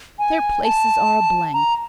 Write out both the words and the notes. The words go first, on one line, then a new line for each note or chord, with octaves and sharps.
Their places are a blank.
G#5
A5
A#5